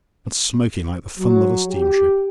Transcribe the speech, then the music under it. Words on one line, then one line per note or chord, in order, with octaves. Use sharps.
And smoking like the funnel of a steamship!
F#3
G4